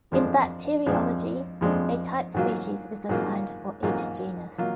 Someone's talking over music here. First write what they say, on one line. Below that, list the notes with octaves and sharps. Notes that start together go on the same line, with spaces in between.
In bacteriology, a type species is assigned for each genus.
F2 F3 G#3 D4
F2 F3 G#3 D4
F2 F3 G#3 D4
G#2 F#3 A#3 F4
G#2 F#3 A#3 F4
G#2 F#3 A#3 F4
F#3 A#3 F4